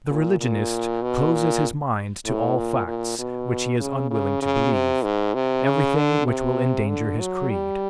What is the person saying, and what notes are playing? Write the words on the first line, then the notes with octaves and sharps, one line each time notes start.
The religionist closes his mind to all facts which he is unwilling to believe, everything which will endanger his creed.
A#2
A#2
B2
A#2
A2
A#2
A#2
B2
C#3
C#3
C#3
C3
G#2
C3
C#3
D3
C3
D3
F#3
G3